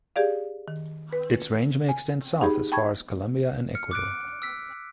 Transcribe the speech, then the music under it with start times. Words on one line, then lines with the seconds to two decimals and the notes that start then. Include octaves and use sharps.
Its range may extend south as far as Colombia and Ecuador.
0.16 G4 G#4 D5 F5
0.68 D#3
1.12 B4
1.89 G#5
2.41 D#4 G4 G#4 B5
2.72 G5 A5 B5 C#6 G#6
3.75 F6 C#7
3.91 D6 F#6 D7
4.42 E6 B6